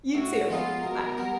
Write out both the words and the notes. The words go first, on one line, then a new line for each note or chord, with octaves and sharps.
You, too. Bye.
A2 F#4
F3 G#3 B3 D#4 F4
B2 A#4
G3 B3